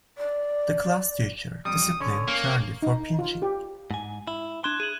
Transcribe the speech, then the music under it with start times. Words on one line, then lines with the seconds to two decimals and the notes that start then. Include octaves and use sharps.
The classteacher disciplined Charlie for pinching.
0.18 D5
1.65 F2 G3 D#6
2.01 D3 C#4 C#5
2.28 A#3 C#4
2.82 D#4
3.19 F4
3.42 G4
3.91 G#2 G#5
4.27 E4
4.64 D4 C6 F#6 G#6 E7
4.80 G#4 D#7 F#7